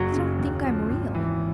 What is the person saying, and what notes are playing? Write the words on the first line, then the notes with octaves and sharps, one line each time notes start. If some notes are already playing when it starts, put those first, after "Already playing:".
They don't think I'm real.
Already playing: F#1 F#3
C#3
D#2
F3
G#1
E3